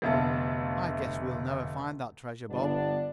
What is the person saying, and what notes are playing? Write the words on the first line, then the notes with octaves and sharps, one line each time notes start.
I guess we'll never find that treasure, Bob.
F1 D2 B3 E5 F5 A5
G1 B3 D4